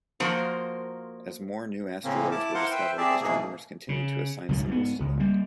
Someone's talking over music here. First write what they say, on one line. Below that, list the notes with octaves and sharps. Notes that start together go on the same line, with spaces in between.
As more new asteroids were discovered, astronomers continued to assign symbols to them.
F3 A#3 F#4 A#4 C5
A2 C#3 A#3 C4 C#4
E4 A5 D6
E4 A#4 C5 F5 F#5 C6
B4 C5 E5 G5
C4 G4 G#4 D5 E5 A5
G#2 B2 E3 A3 A#3 G#4
C#3
C#2 G#2 B2 F#3
G#2 A#3 B3
C#2
G3 A#3